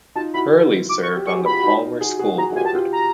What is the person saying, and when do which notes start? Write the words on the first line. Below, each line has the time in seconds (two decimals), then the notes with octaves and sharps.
Hurley served on the Palmer School Board.
0.15 D#4 F4 A5
0.34 E4 F#4 B5
0.89 D6
1.03 C#6
1.16 G4
1.26 F#4 G#4 C#6
1.39 F4 G4
1.45 B5
1.51 F4 G4
1.59 F#4
1.63 D#4 F4
2.00 F#4 G#4
2.19 F#4 G#4
2.38 F#4 G#4 A#5
2.48 F#4
2.56 F4 G4 G#5
2.65 A5
2.75 F4 G4
2.92 A#5